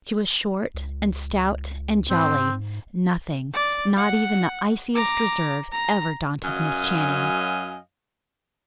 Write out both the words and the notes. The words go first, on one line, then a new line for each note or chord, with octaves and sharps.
She was short and stout and jolly; nothing, not even the iciest reserve, ever daunted Miss Channing.
C#2
G#2 C4
D5
F#5
A#5 D6
A#5
F#2 F#3 D#5 F5 G#5